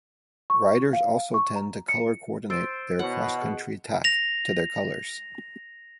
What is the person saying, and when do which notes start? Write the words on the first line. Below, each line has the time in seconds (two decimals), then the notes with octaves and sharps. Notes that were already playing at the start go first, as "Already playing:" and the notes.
Riders also tend to color-coordinate their cross-country tack to their colors.
0.50 C#6
0.93 F5
1.34 C#6
1.56 A#5
1.89 C#7
2.50 C5 E6 A6 D7
2.99 B2 E4 C#5 F#5
3.38 G#4 D#5
4.04 A#6 F7